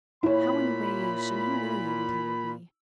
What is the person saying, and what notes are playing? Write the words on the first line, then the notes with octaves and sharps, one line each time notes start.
How enraged and humiliated he will be!
A#2 E4 C#5 B5